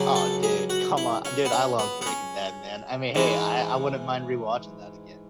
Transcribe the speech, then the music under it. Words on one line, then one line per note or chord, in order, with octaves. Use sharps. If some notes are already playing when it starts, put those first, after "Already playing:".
Oh, dude. Come on. Dude, I love Breaking Bad, man. I mean, hey. I I wouldn't mind rewatching that again.
Already playing: C#2 C#3 F#3
A4
G#4
F#4
E4
C#4
B3
C#4
B3
B3
C#4
G#2 E3 G#3